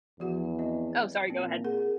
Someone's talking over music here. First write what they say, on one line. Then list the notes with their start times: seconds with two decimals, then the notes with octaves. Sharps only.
Oh, sorry, go ahead.
0.20 E2 F3 F#4 F#5
0.59 C4 D#5
1.30 A#2 A#3 C4
1.64 G#4 A#4 F#5